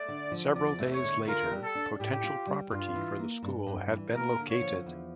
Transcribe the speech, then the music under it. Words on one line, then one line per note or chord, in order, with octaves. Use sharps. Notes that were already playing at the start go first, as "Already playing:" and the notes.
Several days later, potential property for the school had been located.
Already playing: A3 D5
D3
F3
E2 D5
A3
C#5
D3
F4 A#4
G3
A4
D4
A2 G4
F4
G3
G2 F4
E3
A#3
G2
G2
E3
A#3 A#4
D3
C#5
F3
E2